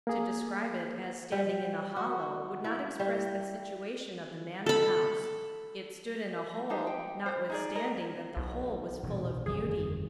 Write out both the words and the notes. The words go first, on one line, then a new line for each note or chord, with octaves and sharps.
To describe it as standing in a hollow would not express the situation of the manor-house; it stood in a hole, notwithstanding that the hole was full of beauty.
A#3 G#4
G3
F#4
E4
G3
A4 B5
D4 D#4 G4 C5
G5
C5
D#4 G#4 D5
A#4
B1
E1 E2 A#2
G1 F2 D#3 G#4